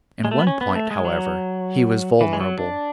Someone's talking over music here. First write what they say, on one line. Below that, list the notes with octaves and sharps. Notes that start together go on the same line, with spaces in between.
In one point, however, he was vulnerable.
G#3
A3
B3
C#4
B3
A3
G#3
F#3
E3
G#3
F#3
D4